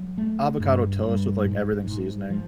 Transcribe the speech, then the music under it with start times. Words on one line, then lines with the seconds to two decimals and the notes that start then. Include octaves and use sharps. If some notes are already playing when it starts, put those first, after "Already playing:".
avocado toast with, like, everything seasoning.
Already playing: F#3
0.18 A3
0.60 G2
1.03 G2
1.45 G#2
1.87 G#2
2.30 F3